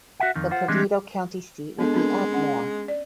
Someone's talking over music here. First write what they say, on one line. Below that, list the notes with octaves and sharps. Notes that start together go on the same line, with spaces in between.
The Perdido County seat would be Atmore.
F#4 E5 F#5
F2 D#3
F4 C5 F#5
E3 G3 G#3 C4 D4
G#3 B3 D4 A4
C4 D4 A#4
C#4 F#5
D5